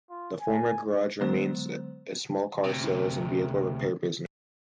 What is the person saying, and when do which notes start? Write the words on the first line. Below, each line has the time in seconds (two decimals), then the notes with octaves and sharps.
The former garage remains as a small car sales and vehicle repair business.
0.10 F4
0.40 G#5
1.21 D3 F#3 G#3 B3 C5
2.64 D2 C3